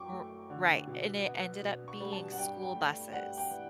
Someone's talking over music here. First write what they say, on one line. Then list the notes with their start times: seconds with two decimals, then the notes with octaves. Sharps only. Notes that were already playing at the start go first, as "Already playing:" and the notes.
R right. And it ended up being school buses
Already playing: F#2 F#3 G5 C#6 D6
0.12 A3
0.50 D3
0.87 B2
1.25 B3
1.63 B2
1.88 C#6
2.00 G3
2.12 A5
2.32 F#5
2.38 G2 G5
2.63 G5
2.75 A3
3.13 G2 F#5
3.38 G5
3.50 E3